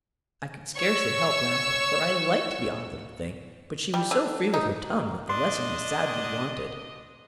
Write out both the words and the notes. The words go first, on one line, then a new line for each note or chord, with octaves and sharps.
I could scarcely help laughing, for I liked the odd little thing; but she was so free with her tongue, that the lesson was sadly wanted.
C#5 C#6 E6
G3
D3
D#4
D4 D#5 C6